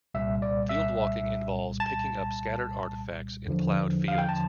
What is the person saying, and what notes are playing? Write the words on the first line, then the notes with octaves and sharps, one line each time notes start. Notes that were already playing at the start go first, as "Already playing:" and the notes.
Fieldwalking involves picking up scattered artefacts in ploughed fields.
C2 A#2 G3 E5
D5
E5
A5
E2 D3 F3
F5
G5
A5